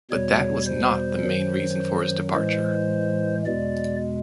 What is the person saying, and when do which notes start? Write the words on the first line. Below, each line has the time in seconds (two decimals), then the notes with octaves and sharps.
But that was not the main reason for his departure.
0.11 E2 B2 G3 C#5
0.66 C5
1.23 F#2 D#3 F#3
2.34 A2 E3 G#3 C5
3.46 E2 B2 G#3 D5